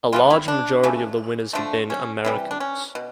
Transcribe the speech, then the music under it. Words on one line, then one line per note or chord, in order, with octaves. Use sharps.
A large majority of the winners have been Americans.
E3 G3 B3 F4
E4
D4
C#3 E3 A3
D3 F3 A3
C#4
C3 E3 G3
D4
C#4
B2